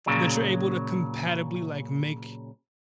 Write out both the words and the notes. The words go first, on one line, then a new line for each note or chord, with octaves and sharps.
that you're able to compatibly, like, make
A#2 C#3 F#3